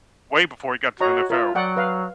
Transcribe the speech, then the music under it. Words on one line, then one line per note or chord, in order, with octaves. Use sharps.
way before he got to the NFL.
F#4 C#5 D#5 A#5
F4 A#4 E5
F#3 D5 F#5 G5
B4 F5